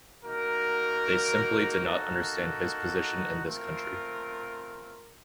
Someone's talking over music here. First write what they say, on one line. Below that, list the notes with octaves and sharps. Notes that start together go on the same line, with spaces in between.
They simply did not understand his position in this country.
A#3 D#4 F#4 A#4
A#3 D#4 F#4 A4
A3 C4 F4 A#4